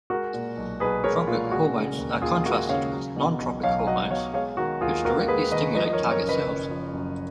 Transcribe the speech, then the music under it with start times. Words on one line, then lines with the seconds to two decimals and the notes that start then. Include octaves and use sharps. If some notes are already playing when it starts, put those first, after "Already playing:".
Tropic hormones are contrasted with non-tropic hormones, which directly stimulate target cells.
0.10 G#3 F#4 A#4
0.34 A#2
0.57 B1
0.80 B1 G#4 B4
1.04 G#3 A#4 C#5
1.28 A#2 F4
1.51 G#3 F#4
1.75 C#3
1.98 D#2
2.22 D#2 F4 G#4
2.46 G#3 F#4 A#4
2.69 C#3 C#5 F5
2.93 F#3
3.16 B2
3.40 B1
3.63 B1 C#5 F5
3.87 F#3 D#5 F#5
4.11 B2 C#5 F5
4.34 G#3 C#5 F5
4.57 D#3 F#4
4.81 D#2 F4 G#4
5.05 D#2 F#4 A#4
5.28 G#3 G#4 B4
5.52 D#3 B4 D#5
5.75 F3 B4 D#5
5.87 D#5
5.93 A#4 C#5
5.99 F#2
6.11 A#4 C#5
6.23 F#1
6.29 B4 D#5
6.46 F#1
6.70 F3
6.93 F#2